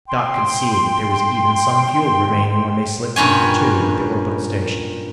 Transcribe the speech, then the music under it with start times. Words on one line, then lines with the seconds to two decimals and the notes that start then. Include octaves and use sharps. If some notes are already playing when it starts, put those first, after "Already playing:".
Doc could see that there was even some fuel remaining when they slipped into the tube at the orbital station.
0.07 G5 C6
3.16 G2 A#2 C#4 G#5